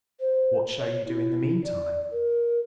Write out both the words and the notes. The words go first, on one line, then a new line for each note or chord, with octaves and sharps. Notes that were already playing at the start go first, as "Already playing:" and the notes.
'What shall you do in the meantime?'
C5
C#5
E4
D5
A#4